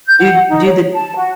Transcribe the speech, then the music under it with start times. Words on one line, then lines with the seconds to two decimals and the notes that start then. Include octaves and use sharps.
do do the
0.07 G6
0.20 F#5
0.48 D#4
0.65 C#5
0.92 A5
1.15 F#4